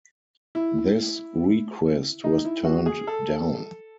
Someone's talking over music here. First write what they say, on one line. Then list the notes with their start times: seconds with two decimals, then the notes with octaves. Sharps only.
This request was turned down.
0.55 E4
2.24 D#4
2.45 E4
2.65 F#4
2.86 G#4
3.07 A4